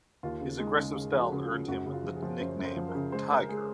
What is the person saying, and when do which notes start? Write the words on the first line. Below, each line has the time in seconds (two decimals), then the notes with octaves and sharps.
His aggressive style earned him the nickname Tiger.
0.23 D#2 F4
0.41 C#3
0.59 G#3 D#4
0.78 C#3
0.95 C#3
1.14 F3
1.20 F#4
1.32 C#3
1.43 F4
1.50 C#3
1.68 F#2 F#4
1.86 C#3
1.93 F4
2.04 F3
2.16 G#4
2.22 F3
2.40 F#2 C5
2.59 F#2
2.65 C5
2.76 F3
2.88 A#4
2.95 C#3
3.12 G#3 C5
3.31 G#3 A#4
3.49 G#3 G#4